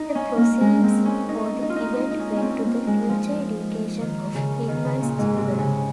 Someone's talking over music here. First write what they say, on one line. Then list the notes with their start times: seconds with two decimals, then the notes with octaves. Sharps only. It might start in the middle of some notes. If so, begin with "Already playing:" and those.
The proceeds for the event went to the future education of Pillman's children.
Already playing: D#4
0.15 C#4
0.37 A#3
0.61 G#3
0.83 C4
1.05 C#4
1.29 D#4
1.62 D#4
1.70 F4
1.76 D#4
1.97 D#4
2.11 D#4
2.19 C#4
2.36 C#4
2.41 C4
2.65 A#3
2.87 G#3
3.09 F3
4.01 D#3
4.35 C#3
4.68 D#3
4.85 C#3
5.02 A#2
5.19 G#2
5.36 C3
5.59 C#3